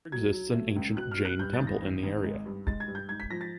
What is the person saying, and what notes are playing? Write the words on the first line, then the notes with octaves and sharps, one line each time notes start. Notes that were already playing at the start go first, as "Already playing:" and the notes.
There exists an ancient Jain temple in the area.
F#3 G#6
F#3
A3
C#2
B2 F#6
F6
B2
F#6
G2 G6
A6
G#1
A#6
G#1
G#1
G#3
G2
G#3 A6
G#6
G2
G6
G#2 G#6
B6
F3 A#6
A6